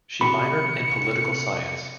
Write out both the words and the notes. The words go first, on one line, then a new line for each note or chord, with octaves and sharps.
She minored in political science.
C3 F#4 B5 C#7